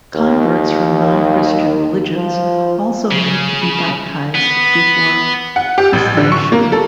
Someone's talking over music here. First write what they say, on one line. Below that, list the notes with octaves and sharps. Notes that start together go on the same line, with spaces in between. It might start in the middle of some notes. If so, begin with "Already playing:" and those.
Converts from non-Christian religions also need to be baptized before chrismation.
D#2
F3
C#3
B3
F#5
G4
A1
D3
C#6
A#3
A4